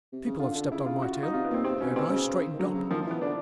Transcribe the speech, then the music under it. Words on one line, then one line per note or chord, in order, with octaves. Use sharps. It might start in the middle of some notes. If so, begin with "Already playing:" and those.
People have stepped on my tail, and I straightened up.
C3
C#3
D3 F4
D3
C#3 E4
F4
F#4
F4
D#4
C3 F4
B3
A#2 C4
C3 C4
B2 C#4
B2 C4
C#3
D#3
D3 F#3
C#3
D#3 F3
F3
E3 B3
D3 D4